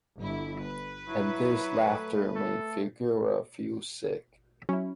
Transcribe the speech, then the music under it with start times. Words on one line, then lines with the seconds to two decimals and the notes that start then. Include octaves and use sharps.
And this laughter made Figura feel sick.
0.18 G1 E4
0.63 B4
1.08 F#3 E4
1.91 A3
2.36 A4
4.69 F#3 C#4 E4